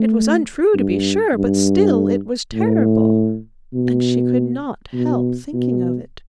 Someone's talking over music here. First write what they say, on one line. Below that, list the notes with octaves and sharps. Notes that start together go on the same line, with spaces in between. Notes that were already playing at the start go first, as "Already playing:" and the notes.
It was untrue to be sure, but still it was terrible, and she could not help thinking of it.
Already playing: A3
G2
G2
A2
B2
B2
B2